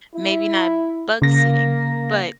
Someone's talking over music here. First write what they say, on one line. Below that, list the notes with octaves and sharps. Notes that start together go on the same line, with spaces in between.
maybe not bug sitting, but
E4
C#3 A#3 A#6